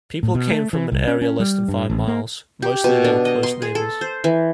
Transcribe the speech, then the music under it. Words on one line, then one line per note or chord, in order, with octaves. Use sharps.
People came from an area less than five miles; mostly they were close neighbors.
A2
B2
A3
E3
C2
C#4
C#4
G3
G2
A1
A#3
G4
B2
D4
D#5
C6
G#4
A4
C5
E3